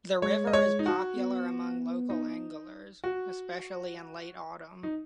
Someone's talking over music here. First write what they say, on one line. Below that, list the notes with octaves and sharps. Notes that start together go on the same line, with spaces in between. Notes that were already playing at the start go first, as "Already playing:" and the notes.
The river is popular among local anglers, especially in late Autumn.
G#3 C#5
D#5
C#5
D#4
F#4
B3
D#4
F#4
D#4